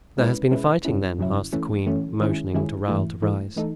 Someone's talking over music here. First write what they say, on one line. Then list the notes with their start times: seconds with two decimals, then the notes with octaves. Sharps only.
"There has been fighting, then?" asked the queen, motioning to Raoul to rise.
0.17 B2 G#3 C#4 E4 B4
0.51 B2 G#3 C#4 E4 B4
0.85 F#2 C#3 F#3 C#4 E4
1.19 F#2 C#3 F#3 C#4 E4
1.53 E3 A3 C#4
1.86 E3 A3 C#4
2.20 D#3 G#3 C#4 E4 G#4
2.54 D#3 G#3 C#4 E4 G#4
2.88 G#2 E3 A3 E4
3.22 G#2 E3 A3 E4
3.56 E3 A3 D#4 A4